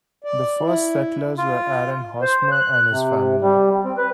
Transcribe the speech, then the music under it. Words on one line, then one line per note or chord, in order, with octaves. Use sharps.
The first settlers were Aaron Hosmer and his family.
D5
E4
F4
C5
F#6
C3
G3
C4
B4